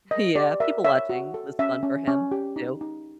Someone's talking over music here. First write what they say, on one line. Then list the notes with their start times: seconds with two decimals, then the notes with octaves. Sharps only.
Yeah, people watching was fun for him too.
0.11 A#4 D#5
0.36 G4 D5
0.60 A#4 E5
0.85 C#5 E5
1.09 F#4
1.34 A4
1.59 C#4 E5
1.83 C#4
2.08 C#4
2.32 G4
2.56 D#4
2.81 D#4